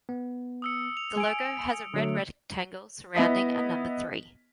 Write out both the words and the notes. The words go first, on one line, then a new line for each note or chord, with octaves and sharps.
The logo has a red rectangle surrounding a number three.
B3
D#6 E6 C#7
F7
G#5 E6 D7
D3 F#3 A3
B3 E4 D#5 B6